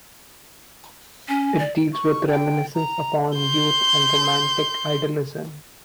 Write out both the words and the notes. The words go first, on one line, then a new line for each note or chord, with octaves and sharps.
It deals with reminiscence upon youth and romantic idealism.
C#4 G#5
D5
C#6
G5
A#5
C6 G6